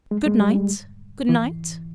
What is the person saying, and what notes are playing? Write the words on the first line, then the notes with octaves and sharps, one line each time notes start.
Good-night. Good-night.
G#3
G#3
G3
E3